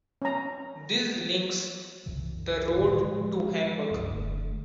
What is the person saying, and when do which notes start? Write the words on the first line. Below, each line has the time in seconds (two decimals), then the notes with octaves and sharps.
This links the road to Hamburg.
0.22 C#4 A#5
2.06 C2 F#2 C#3 E3
2.77 D2 A2 D3 D#3
2.99 F3 F#3 G#3
3.91 C#2 G2
4.11 F1 D3 A3 D4